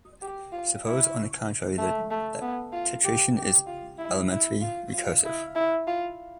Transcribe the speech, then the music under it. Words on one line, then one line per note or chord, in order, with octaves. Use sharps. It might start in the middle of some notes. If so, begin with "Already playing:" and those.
Suppose on the contrary that tetration is elementary recursive.
G4
F4
E4
A3
A3
B3
F4
G4
G4
F4
E4
E4
F4
F4
E4
E4
F4